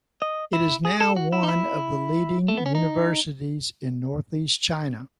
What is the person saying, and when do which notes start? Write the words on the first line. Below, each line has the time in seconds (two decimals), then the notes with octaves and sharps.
It is now one of the leading universities in Northeast China.
0.22 D#5
0.53 E4
0.85 G#4
1.01 A4
1.16 F#4
1.32 E4
1.43 D#4
1.48 E4
2.48 A3
2.57 B3
2.66 C#4
2.75 D#4